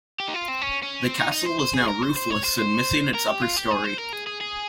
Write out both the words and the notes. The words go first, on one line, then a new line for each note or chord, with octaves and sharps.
The castle is now roofless and missing its upper storey.
G4
D#4
F4
C4
C#4
C#4
C4
D#4
D#4
C5
C5
G#4
A#4
C5
C5
C#5
C5
C5
A#4
G4
F4
G4
G#4
C5
A#4
G#4
G#4
G#4